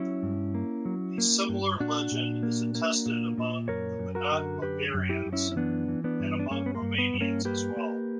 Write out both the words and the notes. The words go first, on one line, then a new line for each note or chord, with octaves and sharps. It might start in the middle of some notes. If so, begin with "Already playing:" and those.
A similar legend is attested among the Banat Bulgarians and among Romanians as well.
Already playing: F#3 C#4 E4
G2
A#3
F#3
A#3
G2
A#2 D4 F#4
A#2
A#3
A#3
A#2
A#2
F#2 A#4 C#5
F#2
F#4 A#4
D3
F#2 G4 B4
F#2
E4 G4
F#2
C#4 E4
C#4
E3 B3 D4
E3
B3 D4
G2
D4
G2 A#3 C#4
B3
A#3
G2
B3
G2
A#3 C#4
A#3 G4 B4
A#3